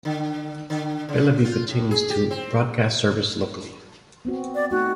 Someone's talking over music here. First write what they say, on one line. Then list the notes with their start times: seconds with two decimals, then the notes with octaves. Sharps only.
Bellevue continues to broadcast services locally.
0.05 D3
0.70 D3
1.09 C#3
1.45 F4
1.68 A2
1.91 G#4
2.10 G4
2.31 C4
4.25 B3 C4 F#4
4.55 D5
4.71 A3 D#4 F#4